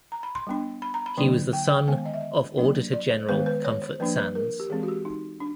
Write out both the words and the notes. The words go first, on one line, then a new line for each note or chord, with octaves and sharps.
He was the son of Auditor-General Comfort Sands.
A#5
B5
C6
G3 B3 D4
B5
A#5
B5
D3 F#3 A#3 D4
G5
G5
D#3 G#3 B3 G#5
D#5
E5
D#5
F#3 A#3 D4
D5
C5
D#3 G#3 B3 B4
B4
C#5
C5
F3 A#3 D4 B4
B4
A#4
G4
E3 G#3 C4 G#4
F#4
G4
D#4
D4